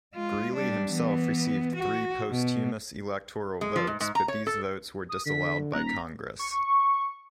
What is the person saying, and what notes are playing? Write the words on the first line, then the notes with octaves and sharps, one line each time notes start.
Greeley himself received three posthumous electoral votes, but these votes were disallowed by Congress.
G#3 F4
G3 D4
E3 B3
F#4
B2
G#3
F3
G#2
G#2
A#5
C#5
A4
D#6
D3 B6
D#1 A#5 F#6
B6
C#6